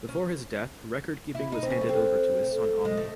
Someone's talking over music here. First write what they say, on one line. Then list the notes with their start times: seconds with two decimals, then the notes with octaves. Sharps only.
Before his death, record keeping was handed over to his son Omni.
0.09 C#4
1.35 E4
1.52 D#4
1.63 C4
1.70 C#4
1.81 A3
1.89 C4
2.43 A3
2.85 G#3
2.97 A3